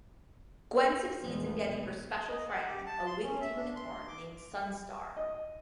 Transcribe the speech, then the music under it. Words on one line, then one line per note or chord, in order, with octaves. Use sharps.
Gwen succeeds in getting her Special Friend, a winged unicorn named Sunstar.
A#1 E2 F3 G#3 B3
B1 B2
D#5
F#5
G4
A5
C6
C#4
E5
D4
C6
D6
D#5